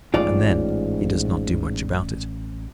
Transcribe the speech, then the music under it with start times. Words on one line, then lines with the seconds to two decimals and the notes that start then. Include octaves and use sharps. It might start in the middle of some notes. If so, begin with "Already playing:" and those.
And then he does not do much about it.
0.14 A1 G#2 F4 D5